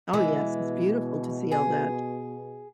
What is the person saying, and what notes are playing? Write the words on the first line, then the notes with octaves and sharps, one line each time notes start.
Oh yes, it's beautiful to see all that.
B2 E3 G#3
G#4